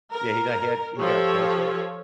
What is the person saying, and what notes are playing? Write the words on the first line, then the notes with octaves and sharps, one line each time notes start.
Yeah, he di he had he got cancer.
A#4
F3 G4 A4 C#5